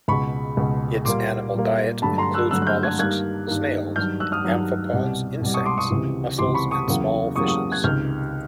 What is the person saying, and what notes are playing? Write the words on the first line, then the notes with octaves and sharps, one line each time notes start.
Its animal diet includes mollusks, snails, amphipods, insects, mussels and small fishes.
C#2 B2 G#3 B5 C#6
C#2 B2 G#3
A#2 G3 A#3 C6 D6
A#2 G3 A#3
G2 D3 F#3 A3 A5 B5
A#5 C6
E6 F#6
G2 D3 F#3 A3 E6 F#6
F#6
F6 G6
F#6 G#6
G2 D#3 G3 A#3 F#6 G#6
G2 D#3 G3 A#3
G2 D#3 F#3 F6 G6
E6 F#6
D#6 F6
G2 D#3 F#3
C2 B2 G3
C2 B2 G3
C#6 D#6
C6 D6
C#6 D#6
C#2 C3 E3
C#2 C3 E3 C6 D6
B5 C#6
C#6 D#6
E2 C#3 F#3 A#3
E2 C#3 F#3 A#3 C#6 D#6
C#6 D#6
F#6 G#6
C#2 C3 D#3 F6 G6